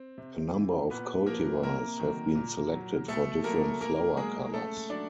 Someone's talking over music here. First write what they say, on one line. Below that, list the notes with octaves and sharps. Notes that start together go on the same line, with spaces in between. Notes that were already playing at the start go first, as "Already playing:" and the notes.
A number of cultivars have been selected for different flower colours.
Already playing: C4
C3
E3
A#2 B3 B4
F3 A#3 A#4
C3 A#3 A#4
D#3 F#3
A#2
F#3
B2 A3 A4
F#3 A#3 A#4
B2 A#3 A#4
F#3 G#3 G#4
C#3 A3 A4
F#3 D4 D5